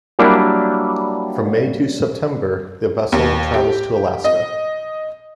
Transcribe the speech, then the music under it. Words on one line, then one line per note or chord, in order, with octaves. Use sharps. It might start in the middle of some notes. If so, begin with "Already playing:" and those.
From May to September, the vessel travels to Alaska.
F#3 G3 A#3 D4 E4 F#5
D#2
G4
D#5